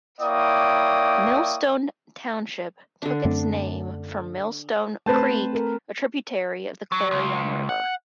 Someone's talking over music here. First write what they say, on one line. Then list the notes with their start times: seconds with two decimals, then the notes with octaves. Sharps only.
Millstone Township took its name from Millstone Creek, a tributary of the Clarion River.
0.21 A#3 E4 C#5 D5 G5 D#6
3.02 D3 D4
3.25 F#2 A3 C4
5.06 A3 C4 B4 C5 A5
5.53 A4 A#4
6.92 F#3
7.11 C#2
7.69 F#5